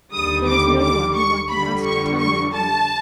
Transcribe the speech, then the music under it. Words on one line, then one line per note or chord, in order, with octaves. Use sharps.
There is no one whom I can ask to tell me of him.
D#2 D3 G3 D#6
D6
D6
C#6
F2 D3 G3 B5
C#6
C#6
A5